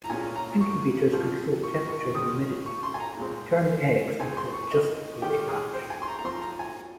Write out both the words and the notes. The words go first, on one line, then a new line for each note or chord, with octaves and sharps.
Incubators control temperature and humidity, and turn the eggs until just before they hatch.
A#5
A#2 G#3 C#4 G#5
A#5
C#6
A#2 F3 C4
C#6
C#6
D#3 G#3 C#4 D#6
C#6
C6
G#5
A#5
A#2 G#3 C4
C#3 G#3 C4 G#5
C6
C#6
D#5
D#3 G#3 C#4 G4
G#4
C5
G#5
C6
A#5
A#5
F3 C4 C6
A#5
G#5